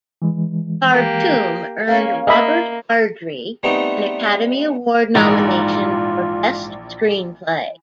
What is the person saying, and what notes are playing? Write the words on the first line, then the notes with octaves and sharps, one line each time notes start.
"Khartoum" earned Robert Ardrey an Academy Award nomination for Best Screenplay.
E3 G#3
A#3 G4
A#3 C#4 F5
A#3 D#5 E5 B5
G3 A3 B3 C4 D#4
A#1 G#2 E3 F4 A#4 A#5